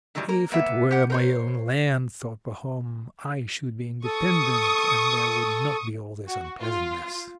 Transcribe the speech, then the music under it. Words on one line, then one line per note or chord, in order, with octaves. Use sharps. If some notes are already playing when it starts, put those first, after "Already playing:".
"If it were my own land," thought Pahom, "I should be independent, and there would not be all this unpleasantness."
A2 D#3 E3 F#3 G3
A#3 A#4
A#3 B3 E5
G4 F#5
A#4 C5 C#5
A4 C#6 D#6
F#4
F4